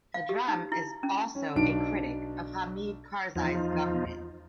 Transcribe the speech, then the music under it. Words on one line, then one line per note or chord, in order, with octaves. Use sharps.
Pedram is also a critic of Hamid Karzai's government.
F5
G4
D#4
E4
C#4
C#4
B1 D4 D7
E2 F3 D#4 F4